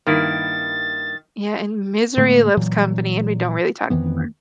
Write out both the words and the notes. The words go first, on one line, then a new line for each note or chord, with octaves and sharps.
yeah, and misery loves company and we don't really talk anymore.
G2 D#3 A#3 E4 A6
A2 D3 A3 A#3
A#2 E3 F#3
F2 D#3 E3 B3